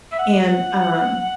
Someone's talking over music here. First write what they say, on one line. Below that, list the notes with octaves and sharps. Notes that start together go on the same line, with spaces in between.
and, um,
E5
F#5